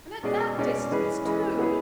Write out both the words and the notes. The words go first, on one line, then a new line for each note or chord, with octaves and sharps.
And at that distance, too!
B2 G#3 C#4 G#4 D5
B2 G#3 C#4 G#4 D5
E3 G#3 C#4 G#4 B4
E3 G#3 C#4 G#4 B4
B3 E4 G#4 B4